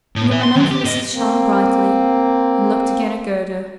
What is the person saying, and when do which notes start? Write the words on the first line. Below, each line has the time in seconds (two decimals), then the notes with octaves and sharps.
And the Ranunculus shone brightly, and looked again at Gerda.
0.16 A2
0.32 B4 E5
0.43 C6
0.55 D#3 F#3
0.71 G4
0.85 A2 D#5
1.13 A#3 C4